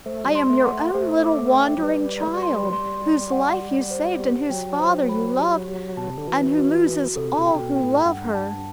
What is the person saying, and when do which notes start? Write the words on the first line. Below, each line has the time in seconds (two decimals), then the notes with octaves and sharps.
I am your own little wandering child, whose life you saved, and whose father you loved, and who loses all who love her.
0.06 A3 C5
0.24 F#3
0.28 G3
0.35 C6
0.49 A3
0.65 B3 F#5
0.72 A3
0.94 A3 C5
1.24 D6
1.53 G5
1.78 F#3
1.83 G3 B4
2.12 D5
2.23 A3
2.27 G3
2.42 C6
2.63 F#3
2.72 G3 C6
3.02 G4
3.32 F#5
3.61 G4
3.91 C5
4.20 G4
4.50 F#3 G5
4.79 C5
5.09 B5
5.39 G4
5.68 G4
5.97 B2 A5
6.07 C3
6.18 D3
6.27 E3 F#4
6.57 F#4
6.87 F#4
7.16 C3 A4
7.38 C3
7.46 G5
7.55 C3
7.61 B2
7.75 G5
7.83 A2
8.05 G2 F#5
8.34 A5